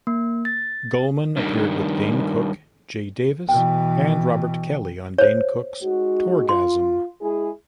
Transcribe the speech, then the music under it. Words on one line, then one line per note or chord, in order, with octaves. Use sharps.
Gulman appeared with Dane Cook, Jay Davis, and Robert Kelly on Dane Cook's "Tourgasm".
A#3
A6
G2 D#3
B2 E3 G5
C5 C#5
G#3 D#4 F#4
F4 C6
G#3 E4 G#4